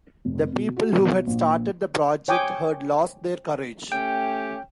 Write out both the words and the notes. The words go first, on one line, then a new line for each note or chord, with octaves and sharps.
The people who had started the project had lost their courage.
F1
B2
F#4
B1
A#1
C#5 G5 G#5 D6 D#6
A3 C#4 G4 G5